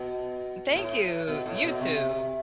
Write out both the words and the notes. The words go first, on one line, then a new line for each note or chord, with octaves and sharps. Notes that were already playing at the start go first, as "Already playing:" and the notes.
Thank you. You too.
Already playing: B2
A2
B2
A2
B2
C3